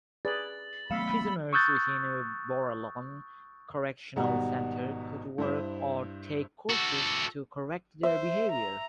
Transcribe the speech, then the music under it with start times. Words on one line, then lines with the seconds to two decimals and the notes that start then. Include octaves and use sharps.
Prisoners within Borallon Correctional Centre could work or take courses to correct their behavior.
0.25 G#4 B4 D5 A6 F#7
0.91 F#3 A3 B3 F5 B5 E6 C#7 E7
1.53 C#6 D#6 E6 F#6 G6 A6
4.16 G#1 B2 G3 B3 F#4 A#5
5.38 G2 E4 C5
6.70 F#4 A4
8.03 C5 E5
8.52 A#5